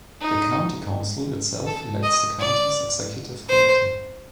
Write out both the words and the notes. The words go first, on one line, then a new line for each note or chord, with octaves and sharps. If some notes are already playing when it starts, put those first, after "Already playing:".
The county council itself elects the county's executive committee.
D#4
A4
D#5
D5
C5